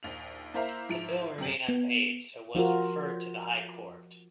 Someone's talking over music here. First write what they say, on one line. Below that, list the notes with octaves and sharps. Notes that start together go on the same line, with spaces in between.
The bill remained unpaid so was referred to the high court.
A#1 D#2 F7
A#3 E4 C5 E5 F5 A#5
G#2 F3 E4 D7 F7
F#2 C3 G4 F#7
B3
F3 F4 F#4 A#4